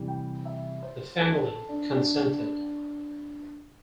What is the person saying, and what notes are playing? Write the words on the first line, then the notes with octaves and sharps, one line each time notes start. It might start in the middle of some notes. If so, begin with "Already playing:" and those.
The family consented.
Already playing: C3 E3 G3
G5
E5
C5
A4
A4
D4
D4